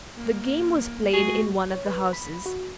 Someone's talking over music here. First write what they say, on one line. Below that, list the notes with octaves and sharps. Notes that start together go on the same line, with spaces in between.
The game was played in one of the houses.
A#3
G#3 A3 F#4 G#4
C#5
B4
B5
F#4